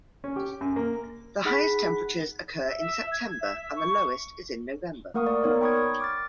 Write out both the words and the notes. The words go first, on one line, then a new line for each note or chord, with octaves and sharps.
The highest temperatures occur in September and the lowest is in November.
C#4
G4
F#2
A#3
D#4 G#4 F#5 B5 F#6 B6
E5
E5
G#6
E5
C#6
A3 A#3 A#4 F#5 C#6 D#6
D5
B3 D#4 A#4 C#5 D5
G5 B5 C#6 D#6 G#6
D6 F6 A6